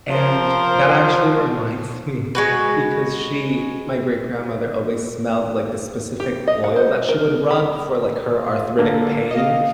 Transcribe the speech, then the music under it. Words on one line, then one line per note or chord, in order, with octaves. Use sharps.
and that actually reminds me because she my great grandmother always smelled, like, this specific oil that she would rub for, like, her arthritic pain,
F3 A#4 C5
G#3 F#4 B4
G4
D#5
F#5
C5
A#4
B5
F4
D3 A#3 A4
D#5 F5